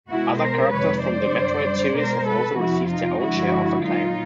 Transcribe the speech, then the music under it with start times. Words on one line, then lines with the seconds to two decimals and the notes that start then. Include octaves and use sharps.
Other characters from the "Metroid" series have also received their own share of acclaim.
0.08 B2 G#3 E4 F#4
0.39 A#4 C5
0.71 F2 C3 D#3 G#3 B4 C#5
1.02 C5 D5
1.34 F#2 D3 G3
1.96 B2 G#3 A#4 C5
2.27 A4 B4
2.58 F2 C3 F3 E4 F#4
2.89 D#4 F4
3.21 G2 D3 F3 G#3 E4 F#4
3.83 A#2 F#3 D#4 F4